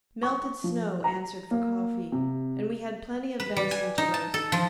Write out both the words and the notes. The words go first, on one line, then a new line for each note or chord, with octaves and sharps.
Melted snow answered for coffee, and we had plenty of venison to roast.
C#6
F3
A#5
A#3
C3
B4
G3
G#5
D#4
A5
A4
F3